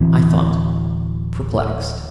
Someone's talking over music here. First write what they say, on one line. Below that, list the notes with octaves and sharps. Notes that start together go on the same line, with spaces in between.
I thought perplexed.
D1 E3 C4